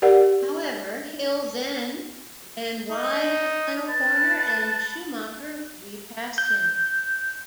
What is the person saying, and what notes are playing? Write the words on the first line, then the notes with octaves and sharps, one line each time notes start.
However, Hill then ran wide at the final corner and Schumacher repassed him.
G4 A#4 D5 F#5
D#4
B4 A5
G6